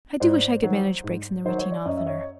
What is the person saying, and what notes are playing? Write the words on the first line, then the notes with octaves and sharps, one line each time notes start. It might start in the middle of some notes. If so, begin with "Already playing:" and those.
I do wish I could manage breaks in the routine oftener.
G#2 C5 D5
D#3 F#3
G#2
D#3 F#3 C5
C#5
D5
F#2 C#5 D#5
E5
C#5 D#5